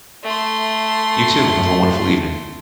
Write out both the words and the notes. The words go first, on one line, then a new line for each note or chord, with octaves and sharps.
You too. Have a wonderful evening.
A3 C6